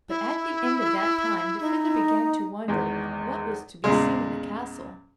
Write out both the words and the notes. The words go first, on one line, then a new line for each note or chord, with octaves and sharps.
But at the end of that time the Fiddler began to wonder what was to be seen in the castle.
E4
D#4
G#1 E2 G#3
E2 A#2 C#3 G#3